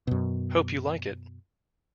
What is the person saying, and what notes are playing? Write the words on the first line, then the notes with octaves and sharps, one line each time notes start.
Hope you like it.
F#2 B2